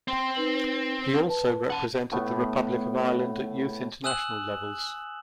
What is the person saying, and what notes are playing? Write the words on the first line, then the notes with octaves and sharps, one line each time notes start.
He also represented the Republic of Ireland at youth international levels.
C4 G5 C6
D#4 B4 F#7
B4 A5
F#5 A5
A2 A3 B3
G#5 D#6 E6 F#6 E7 F#7